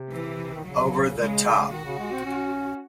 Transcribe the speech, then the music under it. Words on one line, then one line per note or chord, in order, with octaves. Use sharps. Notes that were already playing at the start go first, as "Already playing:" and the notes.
Over the Top!
Already playing: C3
E3
D#3
C#3 F#3
C#3 G#3
C#3
D#3 F#4
C#3
G#3
C4
C#4